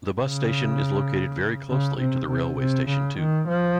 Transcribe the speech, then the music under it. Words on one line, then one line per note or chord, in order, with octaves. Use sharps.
The bus station is located very closely to the railway station too.
C#3
C#3
C3
C3
C3
C#3
D#3
F3